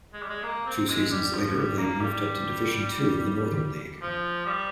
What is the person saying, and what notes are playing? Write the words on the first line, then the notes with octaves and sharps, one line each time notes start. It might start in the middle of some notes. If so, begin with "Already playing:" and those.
Two seasons later, they moved up to Division Two of the Northern League.
G#3
G3
G#3
A#3
C4
G#3
G3
F3
G3
A#3
G3
F3
G3